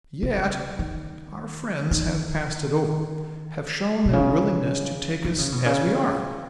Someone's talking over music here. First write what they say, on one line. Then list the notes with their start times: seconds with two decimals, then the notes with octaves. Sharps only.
Yet--our friends have passed it over, have shown their willingness to take us as we are.
0.23 C#3
0.79 D#3
1.91 D#3
4.05 B2
4.13 C#3
5.24 D#3
5.38 C#3
5.52 B2
5.66 C#3